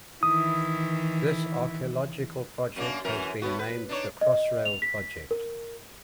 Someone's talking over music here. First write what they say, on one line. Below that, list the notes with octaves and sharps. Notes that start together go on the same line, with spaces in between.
This archaeological project has been named the Crossrail Project.
D#3 E3 E4 D#6
F#2 A#3 D4
F#2 E3 A#4
A2 B3 F#4
B4
D4 D#4 C#5
D#5
F7
B6
A#4